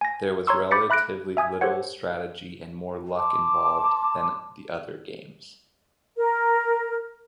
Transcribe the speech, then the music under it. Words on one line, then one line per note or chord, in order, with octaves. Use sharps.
There was relatively little strategy and more luck involved than the other games.
G#5 A#6
C#5 A#5 C6 C#6 E6
B5 D6 G6 A6 B6 C#7
E5 B5 F#6 A#6 D7
E5 G#5 D#6 G#6
G4 A4 C5 C#5 F#5
A5 C6 D6
A#4